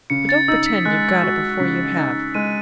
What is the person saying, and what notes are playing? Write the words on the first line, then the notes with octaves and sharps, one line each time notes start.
But don't pretend you've got it before you have.
C#3 C#7
A6
D#4 E6
B6
G#3 F#6
F#4
C#3 B6
D#4
G#3 D#7